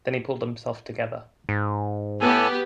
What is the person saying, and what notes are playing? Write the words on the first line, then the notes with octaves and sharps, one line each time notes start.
Then he pulled himself together.
G#2
A2 B3 G4 A4 G#5